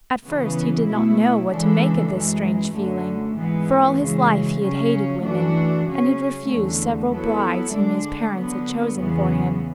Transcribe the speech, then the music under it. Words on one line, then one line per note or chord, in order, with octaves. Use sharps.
At first he did not know what to make of this strange feeling, for all his life he had hated women, and had refused several brides whom his parents had chosen for him.
C#3 E3 B3
B2 A3 E4
C#3 E3 G#3 D4 A4
F#2 E3 G#3
F#2 D3 A3
G#2 E3 G#3 B3
F#2 C#3 E3 G#3
C#3 F#3 C#4
F#2 E3 A3 D4 F#4
C#3 F#3 C#4
E2 D3 A3
F#3 B3 E4 A4
D3 G#3 D4
D3 F#3 B3
E2 C#3 E3 B3